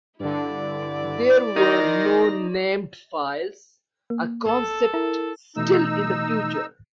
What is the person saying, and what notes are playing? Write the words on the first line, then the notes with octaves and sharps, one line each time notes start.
There were no named files, a concept still in the future.
G2 D3 E4 D5
D#3 D#4 C6 A#6
A#3
G#1 A4
E4 A#4
B2 E3 A3 D#4 E6